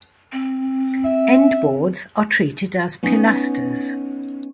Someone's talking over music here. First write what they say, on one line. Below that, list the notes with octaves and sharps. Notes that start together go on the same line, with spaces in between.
End boards are treated as pilasters.
C4
E5
B3 C#4 D#4